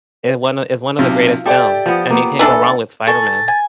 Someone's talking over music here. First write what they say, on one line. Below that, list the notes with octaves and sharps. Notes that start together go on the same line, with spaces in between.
it one of is one of the greatest film. I mean, you can't go wrong with Spider-Man.
B1 C3 F4
G4 A4 D5 E5 G5
F3 B3
A#3 B3
E3 D4 A4
A4 G#5 C#6 A6
G#5